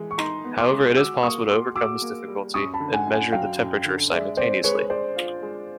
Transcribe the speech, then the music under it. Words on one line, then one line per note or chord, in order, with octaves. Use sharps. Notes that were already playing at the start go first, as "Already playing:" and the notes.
However, it is possible to overcome this difficulty and measure the temperature simultaneously.
Already playing: E3 G#3
C#6
D#4 A#5 C6
B3
C6 D6
G#3
F#4 D6 E6
A#3 C#6 D#6
F#4 C6 D6
F#4 D6 E6
A#3
G3
F#2 C#6 D#6
A5 B5
D3
F#5 G#5
F#2
F#5 G#5
F#3 F5 G5
F#2
D3
G#3 D5 E5
C4 C5 D5
G#3 B4 C#5
G#3 C5 D5
F4
G#3